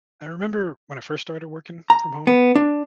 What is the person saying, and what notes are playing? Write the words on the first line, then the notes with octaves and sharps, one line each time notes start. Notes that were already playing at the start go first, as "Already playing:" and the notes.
I remember when I first started working from home
A#5
B3
D4